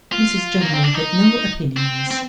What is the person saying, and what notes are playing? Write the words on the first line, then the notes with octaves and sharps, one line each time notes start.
Mrs General had no opinions.
F4
A#3
C4
D4
D#4
C4
C4